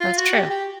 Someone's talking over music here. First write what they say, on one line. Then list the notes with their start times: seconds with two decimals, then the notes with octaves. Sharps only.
That's true.
0.01 F4
0.17 F#4
0.34 G4
0.50 G4